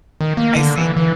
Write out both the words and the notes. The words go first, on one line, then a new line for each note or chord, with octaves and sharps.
I see.
D#3
A#3
D3
E3
E3